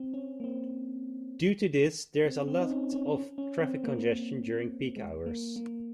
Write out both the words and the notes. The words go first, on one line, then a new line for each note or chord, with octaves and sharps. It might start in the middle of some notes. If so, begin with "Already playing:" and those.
Due to this there is a lot of traffic congestion during peak hours.
Already playing: C4
C#4
A#3
C4
C4
C4
D#4
C#4
C#4
C#4
C#4
C4
A#3
G#3
A#3
A#3